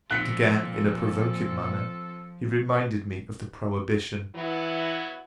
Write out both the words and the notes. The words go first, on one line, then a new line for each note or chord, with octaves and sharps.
But again, in a provoking manner, he reminded me of the prohibition.
A#2 F3 C4 F4 A4 F#6 B6 C#7
E3 F#3 B3 E4